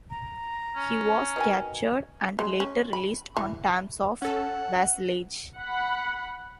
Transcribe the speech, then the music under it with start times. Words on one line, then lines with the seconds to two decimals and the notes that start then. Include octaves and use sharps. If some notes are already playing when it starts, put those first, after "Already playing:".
He was captured and later released on terms of vassalage.
0.10 A#5
0.76 C#4
1.36 B2 D#3 G#5
2.39 G#3
2.60 C#4
2.93 B5
3.37 E3
4.22 C#4 A4 F#5
5.57 F#5 B5